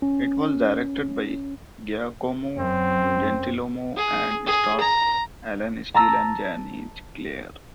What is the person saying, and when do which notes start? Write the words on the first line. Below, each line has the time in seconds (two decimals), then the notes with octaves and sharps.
It was directed by Giacomo Gentilomo and stars Alan Steel and Jany Clair.
0.02 C#4
2.58 F#2 C4
3.97 G#4
4.46 G#4
4.80 A#5
5.94 A5 A#5 E6 A#6